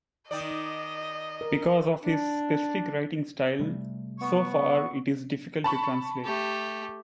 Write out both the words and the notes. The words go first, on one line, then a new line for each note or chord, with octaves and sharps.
Because of his specific writing style, so far, it is difficult to translate.
D#3 D#4 D5 D#5
A#4
D4
C3 G3 A3
B3 C#6
A5 B5 C#6
A3 G4